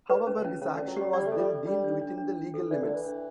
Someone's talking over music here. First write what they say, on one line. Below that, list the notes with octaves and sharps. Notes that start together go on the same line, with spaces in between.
However his action was then deemed within the legal limits.
A2 B4
C#4
C#3
C#4
C#3 C#4
D3
C#4
F#3
G3 G4
G3 D5
A3
A4
G3
A4
G3 D4
D4
D4
D4
D4
A4
E3 D5
D3
D5
E3
D4